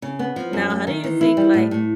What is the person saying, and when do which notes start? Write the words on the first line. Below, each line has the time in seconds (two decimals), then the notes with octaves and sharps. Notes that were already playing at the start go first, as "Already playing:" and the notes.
Now how do you think, like,
0.02 C#3
0.19 B3
0.36 F3
0.53 F#2
0.70 A3
0.87 D#3
1.04 E3
1.21 E4
1.37 G3
1.54 A2
1.71 A2